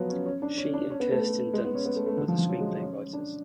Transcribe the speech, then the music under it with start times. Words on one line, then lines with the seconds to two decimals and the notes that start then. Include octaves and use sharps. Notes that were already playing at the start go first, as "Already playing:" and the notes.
She and Kirsten Dunst were the screenplay writers.
Already playing: F3 F#3 B3
0.10 C#4
0.26 C#4
0.42 D4
0.58 C#4
0.74 D4
0.90 C#4
1.00 B3
1.11 A3
1.22 A3
1.53 G#3
1.65 B3
1.75 C#4
1.85 B3
1.96 A3
2.06 A3
2.17 D3
2.28 F3
2.39 F3
2.49 F#3
2.60 G#3
2.82 C#4
3.13 D4